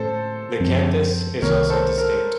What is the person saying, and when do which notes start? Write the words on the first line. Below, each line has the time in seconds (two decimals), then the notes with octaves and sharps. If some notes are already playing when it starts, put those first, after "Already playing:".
The canthus is also distinct.
Already playing: A2 A3 C#4 A4 C5
0.60 F#2 F3 C4
1.42 C2 C3 D#3 A#3 A#4 C#5
1.70 A4 C5
1.98 A#4